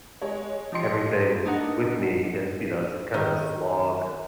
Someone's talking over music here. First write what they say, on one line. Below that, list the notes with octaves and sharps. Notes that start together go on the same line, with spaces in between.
everything with me and, you know, it's just kind of a slog
G#3 C#5
F3 G4 D#5 C6 C#7
D4 D#4 A#4 F#5
D#3